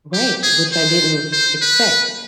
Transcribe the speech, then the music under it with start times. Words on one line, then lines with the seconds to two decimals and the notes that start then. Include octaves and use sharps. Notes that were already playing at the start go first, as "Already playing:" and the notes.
Right, which I didn't expect.
0.14 G4
0.43 G#4
0.72 C5
1.33 C5
1.62 B4